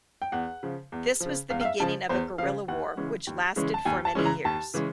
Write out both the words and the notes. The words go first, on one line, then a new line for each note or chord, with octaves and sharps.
This was the beginning of a guerrilla war which lasted for many years.
G5
E2 F#5
C#3 F3
E2
F3
C#3
E2 F5
F5
E5
C#3 F3 A5
E2 C5
C#3 F3 F5
D#2 F#5
C#3 E3 G#3 C#4
D#2
C#3 E3 G#3 C#4
A5
D#2 G#5
A5
C#3 E3 G#3 C#4
A#5
D#2 A5
C#3 E3 G#3 C#4